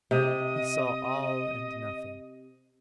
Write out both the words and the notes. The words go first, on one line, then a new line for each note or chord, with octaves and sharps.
He saw all, and nothing.
C3 D#5